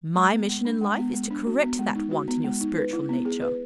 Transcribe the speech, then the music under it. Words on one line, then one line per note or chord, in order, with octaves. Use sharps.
My mission in life is to correct that want in your spiritual nature.
G#3
B3
G#3
D4
G#3
B3
G#3
D4
F#4
B3
G#3
D#4
F#4
B3
G#3
D#4
B4
E4
B3
G#4
B4